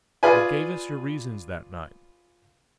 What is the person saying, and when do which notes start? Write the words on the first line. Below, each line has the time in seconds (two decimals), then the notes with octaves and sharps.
You gave us your reasons that night.
0.23 F4 G#4 B4 D5 G#5